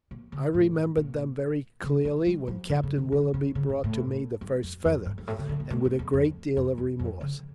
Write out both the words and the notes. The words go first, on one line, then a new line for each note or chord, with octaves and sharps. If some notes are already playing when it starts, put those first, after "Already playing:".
I remembered them very clearly when Captain Willoughby brought to me the first feather, and with a great deal of remorse.
A#2
C#3
A2
A#2
C#3
E3
G3
F3
D3
C#3
D3
D3
C#3
C#3
A#2
A2
G2
F2
F2
G2
G2
A2
C#3
D3
A#2
A2
F2
E2
F2
F2
E2
F2
C#3